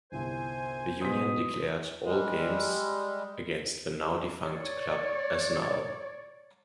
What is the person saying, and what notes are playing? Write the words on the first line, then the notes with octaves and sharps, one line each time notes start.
The union declared all games against the now defunct club as null.
G1 C2 C5 G#5
B2 C6 D#6 B6
G3 G#3
C#5 D5